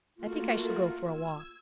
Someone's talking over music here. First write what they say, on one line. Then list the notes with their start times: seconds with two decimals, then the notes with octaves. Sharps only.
"I think I shall go for a walk."
0.16 A3 A#3 F4 F#4
0.98 E6 G#6